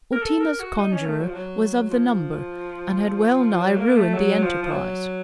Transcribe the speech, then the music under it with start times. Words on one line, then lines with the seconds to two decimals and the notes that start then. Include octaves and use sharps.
Outina's conjurer was of the number, and had wellnigh ruined the enterprise.
0.12 A#4
0.22 A4
0.40 A#4
0.60 F#4
0.78 D#4
0.92 C#4
1.06 A3
1.20 F#3
1.27 F3
1.34 F#3
1.90 F3
3.59 F#3
3.77 A#3
3.96 A3
4.14 F#3
4.43 F3
4.63 F3
4.71 F#3